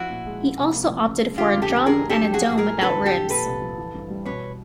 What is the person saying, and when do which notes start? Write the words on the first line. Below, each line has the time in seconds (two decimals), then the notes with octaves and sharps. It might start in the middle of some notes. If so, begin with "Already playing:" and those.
He also opted for a drum and a dome without ribs.
Already playing: F3 E4 F#4
0.10 A#2
0.26 G#3
0.42 F3
0.58 C3
0.74 A#3
0.90 F3
1.06 C#3
1.22 G#3
1.38 D3 F4 G4
1.54 F2
1.62 G4 A4
1.70 F3
1.86 D3 G#4 A#4
2.02 D2
2.09 G4 A4
2.18 F#3
2.33 F3 F#4 G#4
2.50 A2
2.58 G#4 A#4
2.66 A3
2.81 D3 A4 B4
2.98 F2
3.06 G4 A4
3.14 F3
3.30 A#2 A4 B4
3.46 C2
3.62 F3
3.78 E3
3.94 G2
4.10 G3
4.25 B2 B4 C#5